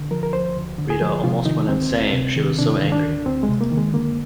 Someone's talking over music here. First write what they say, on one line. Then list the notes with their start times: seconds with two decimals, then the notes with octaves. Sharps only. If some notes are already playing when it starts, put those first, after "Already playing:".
Rita almost went insane, she was so angry.
Already playing: D3
0.11 F3 A#4
0.23 A#4
0.33 D2 C5
0.56 D2
0.78 D3
0.90 G#4
1.01 F3
1.24 C3 F4
1.46 D#3 D#4
1.69 D2 C4
1.91 D2
2.13 C3
2.36 D#3
2.58 C3 D4
2.82 D#3
2.92 D4
3.04 D2
3.26 D2 C4
3.43 G#3
3.49 C3
3.61 A#3
3.71 D#3
3.77 G#3
3.93 D3 A#3